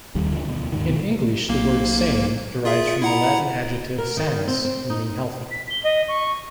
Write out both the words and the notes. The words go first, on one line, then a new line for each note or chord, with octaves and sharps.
In English, the word "sane" derives from the Latin adjective "sanus" meaning "healthy".
F1 D#2 G3
D#2 D3 F3
D2 B2
D#2 G#2 D#3
A#1 B2 D#3 B3
B1 A#3
F4 G#4 E5
E4 F#5 A#5
A#4
D#3
C4
C4
D#4
B6
G7
D#5
C#6